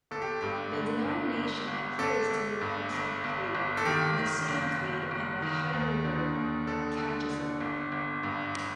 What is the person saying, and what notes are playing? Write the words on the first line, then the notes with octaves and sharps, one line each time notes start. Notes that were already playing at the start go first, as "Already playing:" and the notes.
The denomination adheres to the Apostle Creed, Nicene Creed and the Heidelberg Catechism.
G1 A4
G4
G2 G4
D3
G1
G1
G1
G1 A4
G1
G2
G1
G1
G1
A4
D#3 G4
D#3
F#1
F#1
F#1
D#3
D#2
D3
D#2
D3 A4
D3
D3
G1
G1
G2